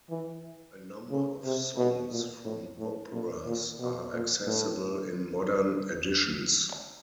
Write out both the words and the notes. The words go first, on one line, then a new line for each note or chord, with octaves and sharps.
A number of songs from operas are accessible in modern editions.
E3
C#3
C3
B2
A#2
A2
A2
A#2
A#2
B2
A#2
A2